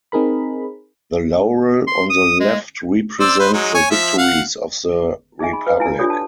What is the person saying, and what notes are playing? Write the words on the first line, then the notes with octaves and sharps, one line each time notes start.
The laurel on the left represents the victories of the republic.
C4 D#4 G#4 A#4 B5
C6
D#6
G#3
C5 D5 E6
B4 C5
F#3 G#3 D#4
C#5 G#5 C#6
F3 E5
F5 F#5
D#4 G#4 D#5 E5 G#5
B5
B4 F5
E4 G#5 A#5
D4 F4 G4 A4 C#5 D5
A5